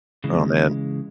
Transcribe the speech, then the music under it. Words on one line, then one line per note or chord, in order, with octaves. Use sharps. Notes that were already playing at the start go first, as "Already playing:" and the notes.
Aw, man.
C#3 E3 G#3